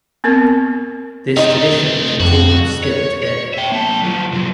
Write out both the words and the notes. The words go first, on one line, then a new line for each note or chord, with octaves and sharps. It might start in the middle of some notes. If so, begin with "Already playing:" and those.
This tradition continues still today.
B3 C4 A#4
C3 A3 D#4 D#5
F2 F#4
C#5
C#5
E5 G5
A#3 A5
F#3 F4
C3 F#3